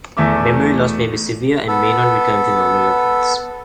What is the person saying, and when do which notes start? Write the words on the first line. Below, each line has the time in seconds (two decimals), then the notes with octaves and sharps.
Memory loss may be severe and may not return to normal levels.
0.17 E2 A3 E5 D6
1.68 B3 A4